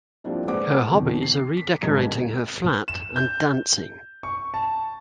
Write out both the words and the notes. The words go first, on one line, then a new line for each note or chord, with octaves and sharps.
Her hobbies are redecorating her flat and dancing.
F3 G3 A#3 C4 D4 E4
G#3 B4 C5 D5 F#5 D6
F2 B2 D#3
C7
B6
D#1 G#1 D3 D#5 A#5 G#6
E7
G6
C#6
A5